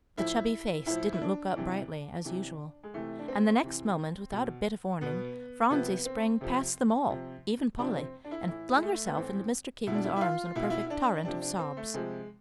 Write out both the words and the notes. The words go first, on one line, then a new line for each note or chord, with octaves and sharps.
But the chubby face didn't look up brightly, as usual: and the next moment, without a bit of warning, Phronsie sprang past them all, even Polly, and flung herself into Mr. King's arms, in a perfect torrent of sobs.
A2 F3 E4
A2 F3 E4
E4
D4
C3 E3
C3 E3
G#3
C3 E3 A3
D4
C4
C3 E3
B2
B2 B3
C3 F3 B3
C4
C3 F3
C3 F3
C3 F3 D4
C4
D4
E4
A2 E3 E4
G#3
A3
B3
A2 E3 C4
B2 E4
D4
E4
E4
F4
B2 E4
F4
E4
E4
D4
C3 F3 D4
D4
C4
A3
C3 F3 G#3